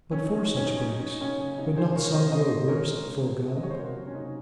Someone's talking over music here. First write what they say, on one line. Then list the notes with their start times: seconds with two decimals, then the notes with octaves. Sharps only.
But for such breaks, would not some grow worse at full gallop?
0.12 F#3 C#4
0.22 D#4
0.31 F#3 C#4
0.44 D#4
0.49 F#3
0.56 C#4
0.66 F#3 D#4
0.77 C#4
0.86 F#3 D#4
0.99 F#3 C#4
1.10 D#4
1.21 C#3 C#4
1.40 C#3
1.58 C3 D#4
1.76 D#3 G#4 C5
1.95 G#3 A#4 C#5
2.13 C3 C5 D#5
2.31 C#3 C5 D#5
2.50 G#3
2.68 G#3 A#4 C#5
2.87 G#3
3.06 C#3
3.23 G#3
3.42 G#3
3.56 D#5
3.61 C#3 C#5
3.70 C5
3.79 C3 F#4 A#4
3.97 F#3
4.07 C#4
4.14 C3 D#4